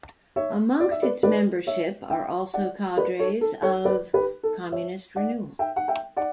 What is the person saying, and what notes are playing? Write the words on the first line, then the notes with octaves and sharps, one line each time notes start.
Amongst its membership are also cadres of Communist Renewal.
C#5 E5
D5
E5
B4 D5
B4 D5
C#5 E5
E5 G5
D5 F#5
B4 D5
A4 C#5
A4
A4 C#5
B4 D5
G4 B4
A4
C#5 E5
D5 F#5
E5 G5
F#5
E5 G5
D5 F#5